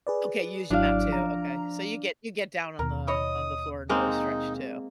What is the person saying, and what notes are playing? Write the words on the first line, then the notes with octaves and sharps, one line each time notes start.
Okay, you use your mat too, okay. So you get you get down on the on the floor and really stretch too.
G#4 B4 D5
G#1 F#3 D4 E4 D5 F5
F3 A#5
D#2 B2 A#4
E4 C#5 D#5 D#6
G#3 A#3 C4 D#4 G#4